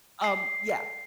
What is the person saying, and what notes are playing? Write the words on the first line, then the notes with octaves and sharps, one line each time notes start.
um Yeah,
C7